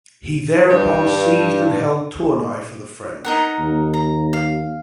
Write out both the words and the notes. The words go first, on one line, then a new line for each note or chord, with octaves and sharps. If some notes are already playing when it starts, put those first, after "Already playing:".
He thereupon seized and held Tournai for the French.
G2 G3
D#4 A#4 F#5
D#2
A#5
F5